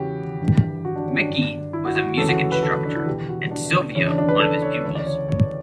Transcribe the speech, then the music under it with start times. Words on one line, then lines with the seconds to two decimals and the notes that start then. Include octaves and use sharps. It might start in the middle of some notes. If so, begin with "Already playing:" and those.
Mickey was a music instructor and Sylvia one of his pupils.
Already playing: E2 C#3 E3 F#4 G4
0.40 G2 E3
0.85 F#4
0.96 D4
1.07 C#4
1.18 D4
1.29 G2 D3
1.73 E4
1.85 F#4
1.96 F#4
2.17 D2 C#3 E3 A4
2.29 F#4
2.52 B4
2.63 A4
2.85 D4
2.96 E4
3.06 E2 B2 G4
3.29 F#4
3.51 D4
3.95 E2 C#3 E3 C#4
4.07 D4
4.18 D4
4.29 B4
4.39 A4
4.62 C#5
4.84 D2 C#3 E3 C#5
4.95 D5
5.07 C#5
5.28 C#5